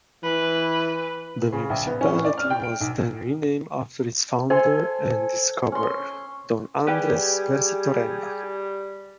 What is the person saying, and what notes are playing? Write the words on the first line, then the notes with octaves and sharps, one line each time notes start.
The municipality was then renamed after its founder and discoverer, Don Andres Garchitorena.
E3 B4
C#3
A#1
B3
C#4
A2
D5
F6
G5
D7
B1
A4 C5 G#5 C6
C#4 C6
G3 G4 G#4 B4 G5